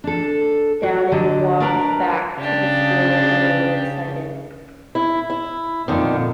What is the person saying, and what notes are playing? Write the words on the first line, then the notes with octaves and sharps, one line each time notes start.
Downing walked back to the school thoroughly excited.
D4 A4
F#4
D3 F#3 D#5
D4 A#4 B4 A5 A#5
C#3 D4 G4
E4
E4
F2 A#2 D3 D#3